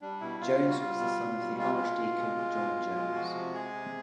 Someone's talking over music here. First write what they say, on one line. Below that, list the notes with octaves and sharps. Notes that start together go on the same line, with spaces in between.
Jones was the son of the Archdeacon John Jones.
G3 D4
B2 E4
B2 F4
G3
F#4
G3 F4
B2
B2
G3
G#3 F4
B2
B2
G#3
G#3
B2
B2
G#3
F3 F#4
C3
G#3 G#4
C3